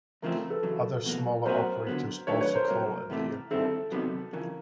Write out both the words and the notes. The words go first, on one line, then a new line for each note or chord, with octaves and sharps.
Other smaller operators also call at the airport.
E2 C#3 F3 A3 C4 A#4
A4 B4
E2 C#3 F#3
E2 B2 F#3 A#3
B2 F#3 A3 C#4 F#4 A#4 C5
D3 F#3 B3
D#3 F#3 A3 D4 B4 C#5
B4 C#5
A#4 C5
C2 A#2 F#3 A#4
E2 C3 E3 A3
G2 D#3 G3 C4 E4 A4
C3 D#3 F#3 B3
F2 C#3 E3 A#4